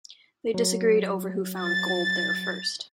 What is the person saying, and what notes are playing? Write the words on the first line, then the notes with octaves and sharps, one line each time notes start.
They disagreed over who found gold there first.
F#3
A6